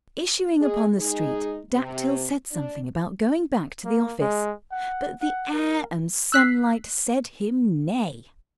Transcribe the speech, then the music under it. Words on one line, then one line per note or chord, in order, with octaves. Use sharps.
Issuing upon the street, Dactyl said something about going back to the office, but the air and sunlight said him nay.
G#3 G#4
G#3 D#4 G#4
C3
D4
A#3
G#3
F#5
F#5
A#4
E6 F#6 B6 C7